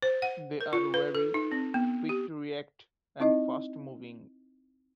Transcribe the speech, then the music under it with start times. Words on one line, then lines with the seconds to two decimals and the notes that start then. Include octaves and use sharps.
They are wary, quick to react, and fast-moving.
0.02 C5
0.22 F#5
0.61 A#4
0.73 F4
0.94 B4
1.15 A4
1.34 D#4
1.52 C4
1.74 B3
2.09 G4
3.20 C4 D#4 E4 D#5